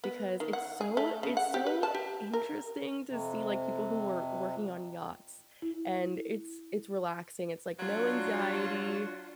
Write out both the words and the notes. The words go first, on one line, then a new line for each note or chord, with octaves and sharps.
because it's so it's so interesting to see, like, people who were working on yachts and it's it's relaxing, it's like no anxiety,
B3
D#3
F#5
G#4
A3
C#3
F#5
G4
B4
A5
G4
A#4
F2 C3
E4
F#3 D4 F4 F#4